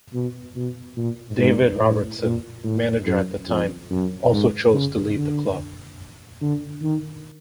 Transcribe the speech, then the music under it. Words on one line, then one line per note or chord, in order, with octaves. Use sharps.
David Robertson, manager at the time, also chose to leave the club.
B2
B2
A#2
G#2
A2
A#2
A2
F#2
F2
F#2
G#2
C#3
D3
D3
D#3